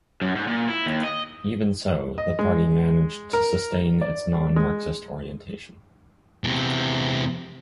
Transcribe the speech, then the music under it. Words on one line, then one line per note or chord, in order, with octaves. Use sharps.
Even so, the party managed to sustain its non-Marxist orientation.
F#2
G#2
A#2
E4
D#2
D#5
D#5
G#3
A#4
D5
G#3
E2 C3